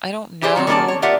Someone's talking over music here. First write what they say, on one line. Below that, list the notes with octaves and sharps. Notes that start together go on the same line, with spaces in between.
I don't know
E4 G4 G#4 C5 D5
D#3 F3 C4
D#3 A#3 C#4 D4 D5 A5
C#5
F4 G4 A#4 D5 E5 F#5